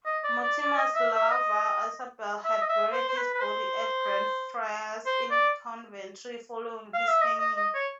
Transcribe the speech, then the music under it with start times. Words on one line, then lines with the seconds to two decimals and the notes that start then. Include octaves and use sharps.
Mortimer's lover Isabella had buried his body at Greyfriars in Coventry following his hanging.
0.05 D#5
0.24 D5
0.42 D5
0.60 D5
0.77 D#5
0.95 E5
1.13 E5
1.31 D#5
2.44 E5
2.61 D#5
2.69 E5
2.92 C5
3.09 C5
3.16 B4
3.34 B4
3.40 C5
5.06 C5
5.30 D5
6.94 F5
7.07 E5
7.21 D#5
7.39 D#5
7.56 D#5
7.74 C#5